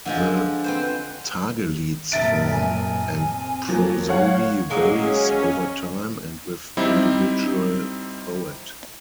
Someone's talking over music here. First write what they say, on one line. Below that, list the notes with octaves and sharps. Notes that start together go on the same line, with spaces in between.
The tagelied's form and prosody varies over time and with individual poet.
D3 F3 G#3
C4 B4 C5
F1 F#2 A#2 E5 A6 D7
G#5
C4
F3 F#3 A#3
F#3 C#5 F5 F#5
F#3 G#3 A#3 C#4
G3 C4 D#4 E4